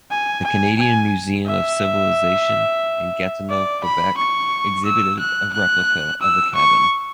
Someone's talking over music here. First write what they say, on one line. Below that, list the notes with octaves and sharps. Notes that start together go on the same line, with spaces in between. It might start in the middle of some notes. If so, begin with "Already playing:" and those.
The Canadian Museum of Civilization in Gatineau, Quebec, exhibited a replica of the cabin.
G#5
G#5
G#5
E5
D5
B5
C#6
E6
F#6
F#6
E6
C#6